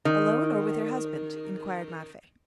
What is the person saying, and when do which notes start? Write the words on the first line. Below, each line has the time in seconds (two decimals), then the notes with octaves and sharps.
"Alone, or with her husband?" inquired Matvey.
0.05 D#3